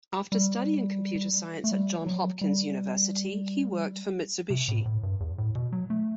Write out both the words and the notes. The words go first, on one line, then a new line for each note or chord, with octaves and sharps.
After studying computer science at Johns Hopkins University, he worked for Mitsubishi.
G3
A3
G3
F#3
G3
C3
A2
A2
G2
E2
A2
B2
F#3
A3